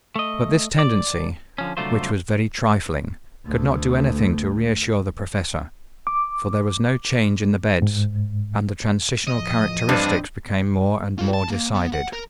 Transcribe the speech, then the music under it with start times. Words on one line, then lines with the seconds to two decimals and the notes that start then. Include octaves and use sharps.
But this tendency, which was very trifling, could not do anything to reassure the Professor; for there was no change in the beds, and the transitional characteristics became more and more decided.
0.16 A3 D#5
0.79 D5
1.58 D3 F3 C#4
1.77 C2 D3 F#3 A3 F4 C5
3.46 D2 A3
6.07 D6
7.82 G#2
9.27 E2 A2 F3 D#5
9.89 G2 C4 D4
11.19 F4 A4
11.33 A5
11.50 A#3
11.75 B3
11.94 F#5
12.13 A#4